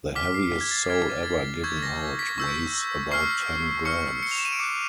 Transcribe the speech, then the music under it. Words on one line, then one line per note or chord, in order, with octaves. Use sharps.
The heaviest soul ever given out weighs about ten grams.
D6 F6 B6
B6
C7
G#6
A6
D6 F6 G#6
A6
G#6
C#6 E6 G6 G#6
A#6
B6
C#6 E6 G6
C#6 F6 C7
C#6 F6 C#7
C#7
F7
E7
D#7
D7
D6 F#6 C#7